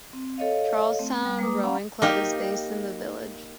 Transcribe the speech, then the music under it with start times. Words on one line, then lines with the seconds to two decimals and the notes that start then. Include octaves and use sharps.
Charlestown Rowing Club is based in the village.
0.13 C4
0.38 A4 C#5 D#5 F5
0.99 A3 C4
1.25 G3
1.39 G#3 A#3 B4 D6 D#6
1.64 C#4 F5 F#5 A#5 B5
2.02 A#3 D#4 G4